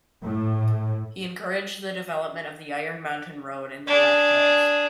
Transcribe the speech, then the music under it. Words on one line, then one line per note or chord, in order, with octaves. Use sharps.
He encouraged the development of the Iron Mountain Road in the Black Hills.
A2
D4 G#4